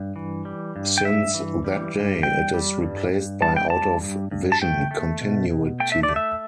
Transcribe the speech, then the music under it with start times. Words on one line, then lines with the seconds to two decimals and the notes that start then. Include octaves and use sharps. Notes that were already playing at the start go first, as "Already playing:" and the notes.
Since that day, it is replaced by out-of-vision continuity.
Already playing: G2
0.16 E3
0.45 G3
0.76 G2
0.98 G5
1.05 G2 E5
1.34 E3
1.65 G3
1.94 G2
2.23 G3 G5
2.54 G3
2.83 G2
3.12 G2
3.42 G3 A5
3.56 G5
3.70 G3 A5
4.02 G2
4.31 G2
4.52 A5
4.61 A3 G5
4.91 A3
5.21 B2
5.50 B2
5.80 A3 G5
5.92 E5
6.03 D5
6.09 A3
6.16 E5